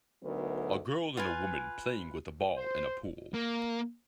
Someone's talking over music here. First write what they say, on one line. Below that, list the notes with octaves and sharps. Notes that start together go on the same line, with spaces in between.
A girl and a woman playing with a ball in a pool.
D2 D3 F#3 B3 D#4 A#4
F4 B4 G#5
C5
A#3